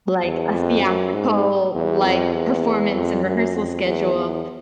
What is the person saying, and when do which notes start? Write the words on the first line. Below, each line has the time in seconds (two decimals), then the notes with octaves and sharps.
like, a theatrical, like, performance and rehearsal schedule,
0.24 E2
0.53 F2
0.83 F#2
1.14 G#2
1.74 E2
2.05 F2
2.34 E2
2.94 F2
3.25 F#2
3.54 F2
3.85 E2
4.14 E2